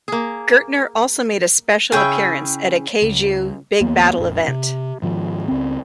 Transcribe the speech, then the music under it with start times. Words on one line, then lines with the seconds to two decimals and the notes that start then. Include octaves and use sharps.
Gertner also made a special appearance at a Kaiju Big Battel event.
0.08 A#3 G#4
1.92 C#3 C#4 E4 G#4 G5
3.02 C#2
3.81 D#2 A#3 B3
4.17 A1 E2
4.48 C3
5.02 G#2 D#3 F3
5.48 C#2 C4